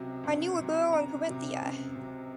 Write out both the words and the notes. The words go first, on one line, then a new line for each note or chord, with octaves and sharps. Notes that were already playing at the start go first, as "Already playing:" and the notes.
I knew a girl in Carinthia.
Already playing: C#2 C3 F#3
C#2
C3 F#3
C#2 A#5
C3 F#3
C#2
C3 F#3